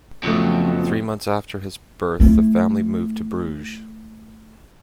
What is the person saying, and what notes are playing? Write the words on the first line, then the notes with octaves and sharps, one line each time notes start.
Three months after his birth, the family moved to Bruges.
F2 C#3 F3 F#3 A3 B3
A3 E4